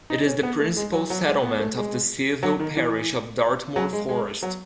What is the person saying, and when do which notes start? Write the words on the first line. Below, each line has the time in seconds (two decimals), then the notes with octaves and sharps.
It is the principal settlement of the civil parish of Dartmoor Forest.
0.10 D#4
0.26 C#4
0.43 B3
0.59 A3
0.77 G#3
0.93 F#3
1.10 F#3
1.26 G#3
1.43 B3
1.59 A3
1.77 G#3
2.43 F#3
2.60 D#3
2.77 E3
3.76 F#3
3.93 G#3
4.09 G#3
4.43 F#3